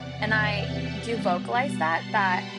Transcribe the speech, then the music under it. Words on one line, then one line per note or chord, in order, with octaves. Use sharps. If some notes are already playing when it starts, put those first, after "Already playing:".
and I do vocalize that, that,
Already playing: E2 C3 E3 D5 F#5
E5 G5
F#5 A5
B2 G3
F#5 A5
A5 C6
G5 B5